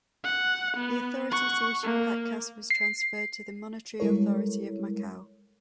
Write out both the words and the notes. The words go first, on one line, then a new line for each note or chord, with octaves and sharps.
The authority to issue patacas was transferred to the Monetary Authority of Macau.
F#5
B3
F#5 C#6
A#3
C7
G3 G#3 E4 A4 A#4 C#5